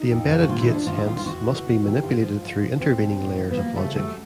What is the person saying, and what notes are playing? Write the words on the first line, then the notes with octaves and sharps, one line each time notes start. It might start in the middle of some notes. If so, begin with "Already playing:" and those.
The embedded gates, hence, must be manipulated through intervening layers of logic.
Already playing: D#4
F2
C#3 F3
F#4
A#2 F4
E4
F3 D#4
D4
F#2 F4
E4
D#3 F4
F4
E2 F#4
C#3 E3
E2
C3 E3
G#2 F4
F3
G#2
F3
E2 C4
B2
A2
F3
B3
F#2 A#3
C#3 F3 A3
F#2 A3